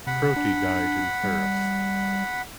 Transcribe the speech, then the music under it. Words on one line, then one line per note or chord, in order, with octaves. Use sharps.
Crotti died in Paris.
C3 F#5 B5
D4
G3